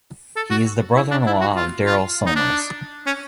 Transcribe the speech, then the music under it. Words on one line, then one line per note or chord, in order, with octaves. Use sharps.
He is the brother-in-law of Daryl Somers.
A4
F#4
E4
D4
E4
F#4
F4
F4
D#4
D4
C#4